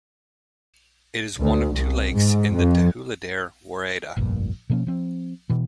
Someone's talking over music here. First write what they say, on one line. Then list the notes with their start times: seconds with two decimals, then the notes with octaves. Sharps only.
It is one of two lakes in the Tehuledere woreda.
1.38 D2
1.74 C2
2.14 G#2
2.51 F2
4.17 F1 A#1 G2 A#2
4.70 B2 F3 A#3 C#4
4.87 F3 C4
5.50 B2 E3